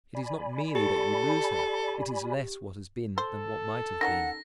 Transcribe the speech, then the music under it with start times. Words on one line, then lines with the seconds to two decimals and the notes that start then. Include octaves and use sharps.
It is not merely that you lose her, it is less what has been than what might have been.
0.15 D5 G#5 B5
0.75 G4 A4
3.18 A4 C5
4.01 D#3 C#4 D#4 F#5 A#6